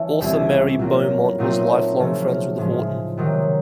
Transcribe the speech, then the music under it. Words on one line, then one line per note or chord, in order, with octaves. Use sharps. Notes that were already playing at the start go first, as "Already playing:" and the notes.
Author Mary Beaumont was lifelong friends with Horton.
Already playing: E3 A3 C#4
C2 A#2 G3 C4 E4
A#2 F#3 A#3
A#2 F#3 A3 C4 D#4
C#3 F3 A3
A2 F3 G#3
C3 D#3 F#3